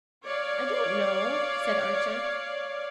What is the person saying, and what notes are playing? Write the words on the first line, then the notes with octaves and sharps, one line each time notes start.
"I don't know," said Archer.
C#5 D5 F5